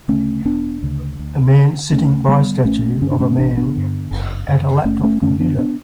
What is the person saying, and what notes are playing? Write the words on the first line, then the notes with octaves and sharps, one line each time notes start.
A man sitting by a statue of a man at a laptop computer.
D2 C#3 A3 C#4
E1 B3 D4
D2 C#3
D2
D3
D2 A3 C#4
D3 G3 B3
A1 A3 C#4
G2 D3 C#4
D4
A3 C#4
A1 D4
B3 D4
G2 D3
F#1
F#2 D3
F#1 A3 C#4
A3 C#4
F#2 D3 A3 C#4
B3 D4
B3 D4